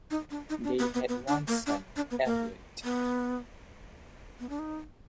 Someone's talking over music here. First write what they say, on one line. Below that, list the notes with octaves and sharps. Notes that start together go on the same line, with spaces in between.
They had one son, Elliot.
D#4
D4
D#4
D4
B3
B3
B3
D4
A#3
D4
D4
B3
A#3
B3
B3
D4
D#4